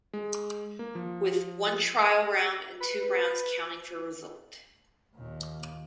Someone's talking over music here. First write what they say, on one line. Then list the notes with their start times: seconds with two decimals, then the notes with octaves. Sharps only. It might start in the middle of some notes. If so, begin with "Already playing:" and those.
With one trial round and two rounds counting for result.
0.13 G#3
0.79 A#3
0.95 F3
2.80 B4
5.15 D#2 A#2